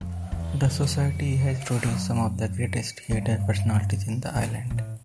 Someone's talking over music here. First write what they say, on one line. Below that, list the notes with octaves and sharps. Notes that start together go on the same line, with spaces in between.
The Society has produced some of the greatest theatre personalities in the Island.
F2
E2
F2
F#2
G2
A2
A#2
A2